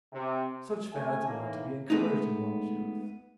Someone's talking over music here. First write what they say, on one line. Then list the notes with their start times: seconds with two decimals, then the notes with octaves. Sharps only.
Such fads are not to be encouraged in one's youth.
0.12 C3
0.92 A3 G#5
1.26 A2 D#3 E3 A#3
1.90 G#3 A3 B3 D#4